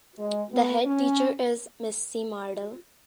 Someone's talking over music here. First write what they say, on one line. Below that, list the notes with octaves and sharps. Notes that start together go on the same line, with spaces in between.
The headteacher is Miss C Mardell.
G#3
B3
C#4